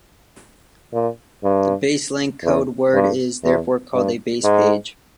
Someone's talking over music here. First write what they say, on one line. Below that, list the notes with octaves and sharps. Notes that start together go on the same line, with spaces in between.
The base link code word is therefore called a base page.
A#2
G2
E2
G2
E2
G2
G#2